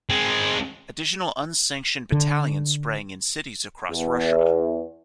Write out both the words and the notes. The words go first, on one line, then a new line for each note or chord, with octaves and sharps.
Additional unsanctioned battalions sprang in cities across Russia.
G#3 C4
D3
E2